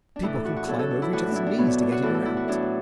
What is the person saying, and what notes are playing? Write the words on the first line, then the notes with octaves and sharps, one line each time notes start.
People can climb over each other's knees to get in or out.
D4
A2 E3 E4
A4
F#4
F#4
B2 F#3 A4
A4
D4
E4
A2 E3 F#4
D4 E4
D4
B2 F#3 B3
D4
D4
F#4
A2 E3 A4
A4
E4
F#4
A2 F#3 D4